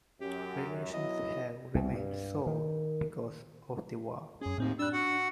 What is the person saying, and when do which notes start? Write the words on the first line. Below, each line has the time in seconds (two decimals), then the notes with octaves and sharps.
Relations have remained sour because of the war.
0.21 F#2 G4
0.93 B1 F#3 E4 D#5
1.75 C2
1.93 G2
2.46 D#3
4.41 F#2 C#4 G#4
4.58 D#2 A2 C4 D#4
4.79 G3 D4 E6 F#6
4.93 F#4 F#5